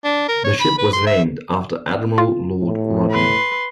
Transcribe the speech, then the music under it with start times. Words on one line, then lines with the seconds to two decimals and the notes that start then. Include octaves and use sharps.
The ship was named after Admiral Lord Rodney.
0.04 D4
0.29 A#4
0.44 C#5
0.60 B5
0.78 B4
0.93 C6
1.07 E5
2.18 F4
2.62 A2
3.11 B4 C6